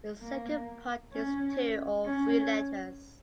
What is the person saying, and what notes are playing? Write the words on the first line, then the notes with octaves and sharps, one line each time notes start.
The second part is two or three letters.
A#3
C#4
C#4